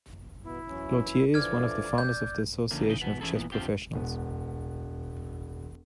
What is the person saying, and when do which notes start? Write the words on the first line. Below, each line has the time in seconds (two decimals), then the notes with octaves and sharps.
Lautier is one of the founders of the Association of Chess Professionals.
0.44 B2 B3 E4
0.68 E3 F#3 C#4
1.34 D3 E3 F3 D5 F6 G#6
1.98 D4 G6
2.71 D3 F3 A3 A#3 C#4
2.87 C#3 E3 D#4 D#5
3.01 E2 B2 B3
3.21 E3 C#4 E4 G#4 A4
3.35 A#2 E3 B3
3.52 D3 F3 G#3 C4 F4 G4
3.94 E1 B3